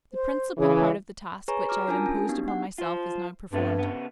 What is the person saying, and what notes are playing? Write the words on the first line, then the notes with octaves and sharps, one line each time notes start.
The principal part of the task which I had imposed upon myself is now performed.
C5
C#3 E3 G#4
G#4 B4 C#5 G#5 A#5 C#6
F#4 A#5 D6 F6
C#4 D4 F4 A#4 G#5 A5
C#4
B3 D4 D#4 F#4 G4
F#5
F4 C5
G2 C3 A3 B3
C#3 B3